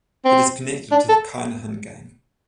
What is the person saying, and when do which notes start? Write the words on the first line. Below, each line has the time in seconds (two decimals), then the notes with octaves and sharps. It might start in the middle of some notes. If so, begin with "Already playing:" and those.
It is connected to the Kinahan gang.
0.25 C4
0.91 D4
1.09 A4